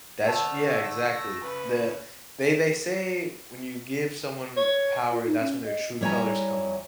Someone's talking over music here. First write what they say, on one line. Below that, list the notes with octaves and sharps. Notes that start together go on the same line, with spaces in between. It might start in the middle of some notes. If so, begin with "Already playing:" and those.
That's yeah, exactly. The they they say when you give someone power, that's when their true colors come out.
D3 A3 C5 A5 E6 F6
A3 E6 A#6
C#3 B4
C#5
F4
D#4
C#4
D#5
G3 E4 C#5 E5 G#5 A#5